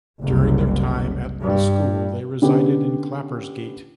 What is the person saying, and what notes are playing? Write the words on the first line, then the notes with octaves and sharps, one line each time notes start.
During their time at the school they resided in Clappersgate.
F#1 C2
G2
D3 B3 C#4 G4